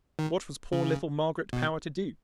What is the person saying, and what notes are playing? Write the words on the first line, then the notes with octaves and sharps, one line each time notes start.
What was poor little Margaret Power to do?
D#3
C#3
B2